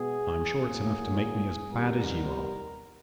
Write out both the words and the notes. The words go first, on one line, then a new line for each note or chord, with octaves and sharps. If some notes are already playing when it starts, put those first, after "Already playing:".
I'm sure it's enough to make me as bad as you are.
Already playing: B2 G#3 B3 G#4
A2 F#3 A#3 G#4
C3 D#3 G3 B3 A#4